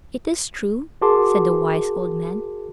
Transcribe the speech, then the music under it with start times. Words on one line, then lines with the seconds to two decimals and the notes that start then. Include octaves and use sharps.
"It is true," said the wise old man.
1.02 F#4 G#4 A#4 A5 C6 D6